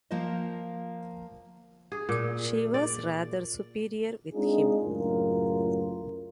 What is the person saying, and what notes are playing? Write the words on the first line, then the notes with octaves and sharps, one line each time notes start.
She was rather superior with him.
F3 A#3 F4 C5 D#5
G#4
A#2
D5
G#3 C4 D4 D#4 F4 G#4
C#2 F#2 A2 F4 A#4